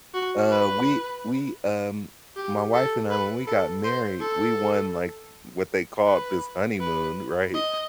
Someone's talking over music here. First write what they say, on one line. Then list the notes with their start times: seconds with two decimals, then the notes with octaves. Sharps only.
uh, we we, um, my wife and I, when we got married, we won, like, what they called this honeymoon, right?
0.14 F#4
0.50 B4
2.36 G4
2.73 A4
3.10 B4
3.47 A4
3.84 C5
4.21 A4
6.06 B4
6.80 B4
7.54 D#5